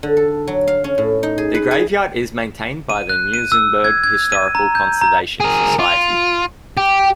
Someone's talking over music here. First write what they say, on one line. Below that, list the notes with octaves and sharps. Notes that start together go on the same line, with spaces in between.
The graveyard is maintained by the Muizenberg Historical Conservation Society.
D3
A4
F#3
F5
C#4
A2
D#4
G#4
B4
G#4
D#7
F#6
D#7
E6
G#6
G#6
D#7
A#5
G6
A#5
G#4 A#4
F4
G4